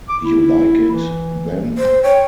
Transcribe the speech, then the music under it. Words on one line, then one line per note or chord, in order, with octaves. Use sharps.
You like it, then?
D6
E4
E3
C5
C#5 G5